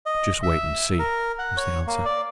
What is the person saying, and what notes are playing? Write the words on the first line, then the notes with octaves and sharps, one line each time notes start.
"Just wait and see," was the answer.
D#5
E5
A#4
F#5
C#5
A#3
D5